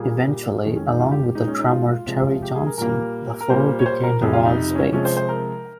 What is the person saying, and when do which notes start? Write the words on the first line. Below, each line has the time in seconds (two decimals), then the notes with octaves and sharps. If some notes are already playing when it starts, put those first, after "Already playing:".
Eventually, along with the drummer Terry Johnson, the four became the Royal Spades.
Already playing: A#2 G3 A#3 G#4
0.28 G4
0.64 F2 D#3 G#3 C#4
0.76 C#4
0.87 D#4
0.99 F4
1.11 G4
1.23 G4
1.35 A#2 G#3 D#4
1.48 C#4
1.59 D#4
1.71 F4
2.07 C3 F3 G#3
2.42 G4
2.55 G#4
2.66 A#4
2.78 A#2 G3 A#3 A#4
3.41 A#4
3.50 A#2 G3 A#3 C5
3.79 C#5
3.86 C5
4.03 A#4
4.22 F2 C3 G3 G#4
4.33 F4
4.45 D#4
4.57 D#4
4.75 C#4
4.92 C3 F3 G#3 C#4
5.05 C5
5.17 C5
5.29 A#4